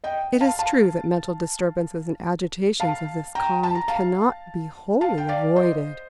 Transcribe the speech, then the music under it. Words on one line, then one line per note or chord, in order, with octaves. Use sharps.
It is true that mental disturbances and agitations of this kind can not be wholly avoided.
D#5 G5
F5 A5
F5 A5
F5 A5
G5 A#5
A5
A#5
F5 A5
F5 A5
G5
D5 F5
C5 D#5